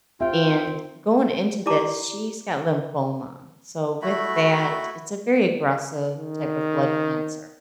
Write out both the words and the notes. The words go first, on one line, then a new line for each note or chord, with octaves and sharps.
And going into this, she's got lymphoma. So, with that, it's a very aggressive type of blood cancer
C4 F4 E5 G5
E4 G4 D5 A5 A#5 D6
A3 E4 F#4 B5
D#3